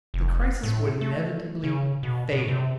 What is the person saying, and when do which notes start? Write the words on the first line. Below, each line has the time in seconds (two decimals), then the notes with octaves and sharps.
The crisis would inevitably fail.
0.14 F1
0.63 A2
1.01 A3
1.63 C#3
2.03 B2
2.32 B2
2.48 C3